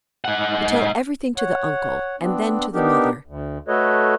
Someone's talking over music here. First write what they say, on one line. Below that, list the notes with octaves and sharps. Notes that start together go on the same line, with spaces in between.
But tell everything to the uncle, and then to the mother.
G#2 F#5
C#5 F#5
B3 C4 D4
B3 D4 D#4 G4 A#4
D2
A3 F#4 A4 B4 C#5 D#5